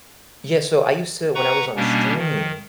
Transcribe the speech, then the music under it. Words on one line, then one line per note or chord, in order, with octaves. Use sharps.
Yeah, so I used to when I was on stream,
B4 F#5 A#5 C#6
B2 G3 A#3 C#4 D4
D#3